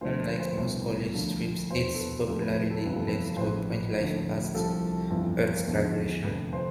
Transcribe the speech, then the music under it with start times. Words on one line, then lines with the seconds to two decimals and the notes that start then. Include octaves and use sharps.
Unlike most college strips, its popularity led to a print life past Hurt's graduation.
0.01 D2 D3 F3 C5
0.29 B4
0.40 C5
0.51 B4
0.57 C2 B2
1.14 D2 D3 F3
1.71 E2 B2 C5
1.94 A4
1.99 B4
2.27 D2 C3 F3 A4
2.41 B4
2.55 B4
2.70 A4
2.84 G1 F2 C3 E3 B4
2.96 A4
3.08 B4
3.37 C5
3.40 A1 A2 F3 B4
3.98 D2 D3 F3
4.54 C2 C3 F3 A4
5.10 G1 F2 E3
5.67 E2 D3 F3
6.24 F1 F2 D3 B4
6.53 C5